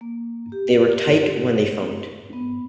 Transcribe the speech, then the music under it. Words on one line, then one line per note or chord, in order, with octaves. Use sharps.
They were tight when they phoned.
A#3
G4
B3